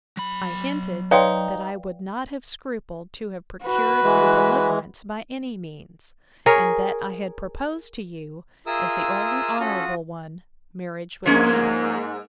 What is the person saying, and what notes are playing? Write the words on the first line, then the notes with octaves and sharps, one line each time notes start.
I hinted, that I would not have scrupled to have procured your deliverance by any means; and that I had proposed to you, as the only honourable one, marriage with me.
F#3 B5
D#4 B4 C#5 D5 F5 G5 C6
F#4 B4
E3 G#3
G#4 A#4 C#5
F4 G#4 A#4 E5 D#6 E6
C#4 F4 F#4 A4 D#6
G#2 F3 A#3 C#4 G#4